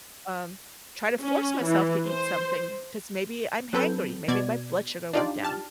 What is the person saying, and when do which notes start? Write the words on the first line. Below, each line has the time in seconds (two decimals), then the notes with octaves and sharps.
um, try to force myself to eat something, 'cause maybe I'm hangry, maybe my blood sugar went down.
1.21 C#4
1.65 E3
2.08 C5
3.73 F#3 C4 A4 B4 G6
4.28 B2 D5 G#6
5.13 D4 D#4 F4 G4 D5
5.43 G4 A5 F6